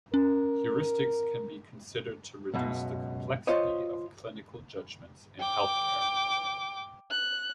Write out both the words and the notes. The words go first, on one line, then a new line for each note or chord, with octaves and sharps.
Heuristics can be considered to reduce the complexity of clinical judgements in healthcare.
C#4 A#4
C#2 F#2 B2
F4 C5 C#5 D#5
G5 D6
F#6